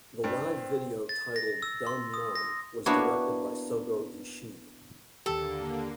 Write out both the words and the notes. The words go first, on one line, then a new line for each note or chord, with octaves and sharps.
The live video titled "Dumb Numb" was directed by Sogo Ishii.
G2 C4
A6
A#6
E6
C6
D#6
A#6
A#3 B3 D4 E4 F#4 C#5
D#2 D3 A#3 G4 A4